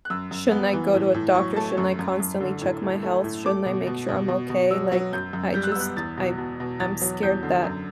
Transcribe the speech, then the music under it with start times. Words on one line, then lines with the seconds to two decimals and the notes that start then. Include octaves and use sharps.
shouldn't I go to a doctor? Shouldn't I constantly check my health? Shouldn't I make sure I'm okay? Like, I just, I I'm scared that
0.05 F#6
0.10 F#2 E6
0.31 F#2
0.51 B3
0.73 E3
0.94 A2
1.14 A2
1.35 F#3 C#6
1.56 A3 A5
1.77 F#2 C#6
1.99 F#2
2.20 F#2
2.40 D3
2.62 A2
2.83 A3
3.03 A3
3.24 A2
3.45 A3 D6
3.66 B2
3.87 B2
4.09 B2
4.28 B2
4.50 B2
4.70 F#3 E6
4.92 F#3
5.13 F#2 G6
5.33 F#2
5.54 G3 G6
5.63 F#6
5.72 E6
5.76 B3 F#6
5.96 E2 A6
6.18 B2
6.38 B2
6.60 B2
6.80 E2 A6
7.01 F#3
7.23 E2 G6
7.43 D3
7.64 F#2